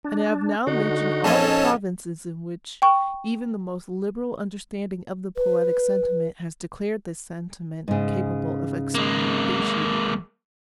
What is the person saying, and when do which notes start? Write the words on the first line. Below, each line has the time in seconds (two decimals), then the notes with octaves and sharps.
And I have now mentioned all the provinces in which even the most liberal understanding of the poetic sentiment has declared this sentiment capable of expatiating.
0.04 D4
0.67 D3 D#4 F#4
1.24 A#1 F2 C#4 A4 C#5 D#5 A5
2.82 G5 C#6
5.37 B4
7.88 G#2 C#3
8.95 G#3 A#3